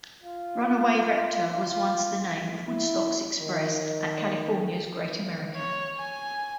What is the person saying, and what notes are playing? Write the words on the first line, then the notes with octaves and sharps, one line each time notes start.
Runaway Reptar was once the name of Woodstock's Express at California's Great America.
F4
F4
E4
D#3
C#5
G#5